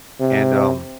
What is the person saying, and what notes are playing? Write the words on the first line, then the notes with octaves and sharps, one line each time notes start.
and, um
C3